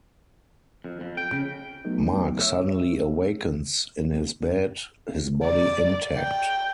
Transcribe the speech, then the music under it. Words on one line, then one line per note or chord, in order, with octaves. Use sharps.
Mark suddenly awakens in his bed, his body intact.
F2
F2
G5
C#3
F#3 A3 B3 D#4
C#5 E5 E6
D5
G5